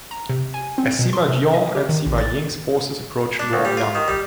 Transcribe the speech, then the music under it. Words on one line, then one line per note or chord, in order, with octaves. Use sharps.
As Sima Jiong and Sima Ying's forces approached Luoyang.
A#5
C3
G#5
C4
B2
C6
C3
D#5
G4
D#3
A1
A6
D4
D2
G3
F4
D#3
G3